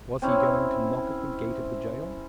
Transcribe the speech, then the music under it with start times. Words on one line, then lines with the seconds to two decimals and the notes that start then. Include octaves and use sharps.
Was he going to knock at the gate of the jail?
0.22 C4 C#4 E4